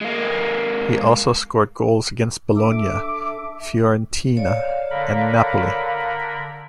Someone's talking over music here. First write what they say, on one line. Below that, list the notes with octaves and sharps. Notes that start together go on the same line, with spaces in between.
He also scored goals against Bologna, Fiorentina and Napoli.
G#3 A#3
D4 A4 E5 D6
C#5 D5 F5
D3 A#4 B5